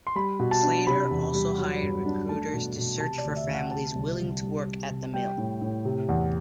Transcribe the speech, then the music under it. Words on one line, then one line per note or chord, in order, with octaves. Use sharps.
Slater also hired recruiters to search for families willing to work at the mill.
C6
G3 B5
B2
A5
D4
C3 B5
E2
G3
F#3
G2
D4
A3 A5
B2
B2
C3 A5
D5
D2
E5
D2
F#5
G5
C3 A5
C2
C2
G3
C3
C3
G3 G5
A2
A2
C3
E2